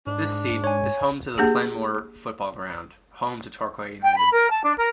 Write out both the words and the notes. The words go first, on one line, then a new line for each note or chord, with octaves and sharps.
The seat is home to the Plainmoor football ground, home to Torquay United.
G#2 D4
C#5 G#5
A#3 D4 G4 G#4
G5
B5
A#4
A5
D4
A#4